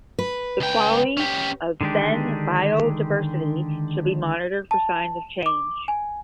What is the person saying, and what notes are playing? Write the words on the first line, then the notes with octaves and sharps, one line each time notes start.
The quality of fen biodiversity should be monitored for signs of change.
B4
C#2 G5
C#4 G4
D3 D#3 G#3 D4 G4
A5
D6
G#5